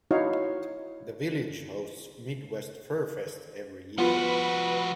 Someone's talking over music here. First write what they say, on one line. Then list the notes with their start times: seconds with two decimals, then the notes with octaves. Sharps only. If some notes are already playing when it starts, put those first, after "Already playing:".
The village hosts Midwest FurFest every year.
0.11 D#4 E4 F#4 C#5 F5
3.98 F3 B3 F4 F#4 B4 C#7